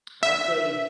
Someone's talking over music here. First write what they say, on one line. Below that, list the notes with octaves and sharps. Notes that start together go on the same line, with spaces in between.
I say
E5